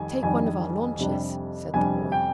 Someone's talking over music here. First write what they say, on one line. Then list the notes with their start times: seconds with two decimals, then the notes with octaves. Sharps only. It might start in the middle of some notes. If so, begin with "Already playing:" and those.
"Take one of our launches," said the boy.
Already playing: F2 D#3 G3 G#5
0.23 F2 D#3 G3 D4 G#5
0.99 F2 C3 G3 D4
1.74 F2 C3 G3 D4 G#5
2.12 G5